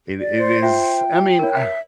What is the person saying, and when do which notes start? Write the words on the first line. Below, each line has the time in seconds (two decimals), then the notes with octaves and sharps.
It it is I mean, um,
0.20 D5
0.38 C5
0.62 F4 E5 G5
1.39 E4 A#4 C#5
1.54 E5